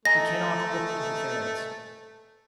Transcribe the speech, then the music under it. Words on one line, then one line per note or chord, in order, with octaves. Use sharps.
He cannot brook interference.
A3 D#5 G#5 A#5 A#6